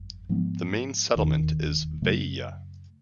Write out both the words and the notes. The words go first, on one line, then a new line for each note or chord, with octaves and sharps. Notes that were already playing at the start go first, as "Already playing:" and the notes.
The main settlement is Vaiea.
Already playing: G1 F2
G#2 F3 G#3 B3
E1 D#2 D#3
F#2 C#3 F#3 A3